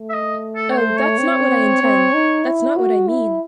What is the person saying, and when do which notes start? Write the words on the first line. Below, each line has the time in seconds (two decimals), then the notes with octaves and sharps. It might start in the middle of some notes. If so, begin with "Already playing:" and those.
Oh, that’s not what I intend — that’s not what I mean!
Already playing: A3
0.10 E5
0.14 D#5
0.56 A4
0.71 C#5
0.77 C5
0.97 C#5
1.18 C4
1.82 C4
2.14 D#4
2.44 E4
2.76 F#4
3.08 E4